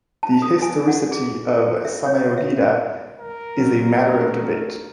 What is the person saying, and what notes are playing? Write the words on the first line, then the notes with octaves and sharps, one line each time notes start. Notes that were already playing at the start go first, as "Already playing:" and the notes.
The historicity of Samyogita is a matter of debate.
A5
D#6
G#5
F#5
G#4
A4
E5
C#5
E5
A#4
F#3
A3 D4